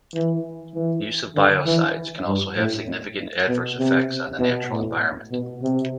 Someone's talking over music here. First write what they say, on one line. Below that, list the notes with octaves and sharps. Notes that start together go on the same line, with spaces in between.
The use of biocides can also have significant adverse effects on the natural environment.
E3
E3
D3
E3
G2
A2
B2
C3
B2
A2
B2
C3